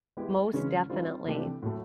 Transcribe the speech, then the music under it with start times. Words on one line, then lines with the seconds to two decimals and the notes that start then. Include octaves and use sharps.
Most definitely.
0.17 G#3 B3 E4 G4
0.53 C#3 E3 G#3 C#4
0.89 D#3 G3 C4 F4
1.26 C3 E3 A3 D4 G4
1.63 A2 F#3 A3